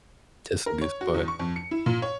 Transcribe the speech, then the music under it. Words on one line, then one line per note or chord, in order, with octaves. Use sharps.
Yes, it is, but
A#4
C#5
F#4
E2
C#6
F2
C#7
E4
A#2
C#5